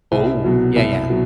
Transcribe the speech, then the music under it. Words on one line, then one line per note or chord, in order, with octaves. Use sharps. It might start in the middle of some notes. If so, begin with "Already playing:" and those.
Oh, yeah, yeah.
C2
B2 F#3
C2
B2 F#3